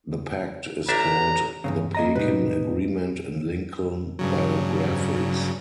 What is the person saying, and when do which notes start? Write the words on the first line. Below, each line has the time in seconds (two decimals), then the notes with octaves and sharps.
The pact is called the Pekin Agreement in Lincoln biographies.
0.89 A1 D4 E5 A#5
1.64 E2 G2 A#2 C#3
1.95 A#3 D#5 A#5
2.15 A2 C3 G3 D#4 B4
4.19 G2 C#3 F#3